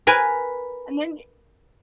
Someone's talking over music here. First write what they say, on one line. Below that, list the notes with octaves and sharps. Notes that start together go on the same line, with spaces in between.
And then i
A#4 B4 G#5